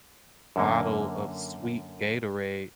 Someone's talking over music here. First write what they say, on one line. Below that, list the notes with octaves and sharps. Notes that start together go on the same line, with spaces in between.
bottle of sweet Gatorade,
F#2 D3 A#3